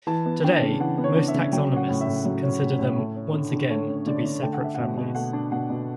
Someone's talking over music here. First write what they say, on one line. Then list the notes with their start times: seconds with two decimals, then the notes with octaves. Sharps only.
Today, most taxonomists consider them once again to be separate families.
0.07 E3 A5
0.25 B3
0.44 D4 G5
0.62 C#3
0.80 E3 F#5
0.98 B3
1.04 C#5
1.16 D4
1.28 E5
1.34 C#3
1.53 F#3 G5
1.71 C#4
1.76 F#5
1.89 A2
2.01 E5
2.07 A2
2.25 F#3
2.43 C#4
2.61 A2
2.79 A2
2.98 A3
3.16 C#4
3.33 D3
3.52 D3
3.70 A3 C#5
3.88 C#4
3.96 C#5
4.06 D3 D5
4.25 D3
4.42 A3 G5
4.53 F#5
4.61 D4 E5
4.74 B2 F#5
4.97 B2
5.15 A3 F#5
5.33 D4
5.52 B2 F#5
5.70 B2